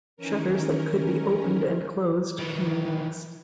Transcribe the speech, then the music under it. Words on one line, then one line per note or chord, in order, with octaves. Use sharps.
Shutters that could be opened and closed came next.
D#3 E3 C#4 A#4
D#3 E3